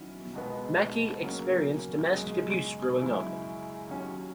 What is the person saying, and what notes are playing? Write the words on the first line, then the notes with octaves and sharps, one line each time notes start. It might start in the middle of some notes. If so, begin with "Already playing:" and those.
Mekki experienced domestic abuse growing up.
Already playing: D#3 F#3 C#4 E4
C#2 B2 G#3 B3
C#3 F#3 A#3 C#4
F#2 C#3 G#3
F#2 C#3 G#3 C#4 E4
D#2 D#3 F#3 C#4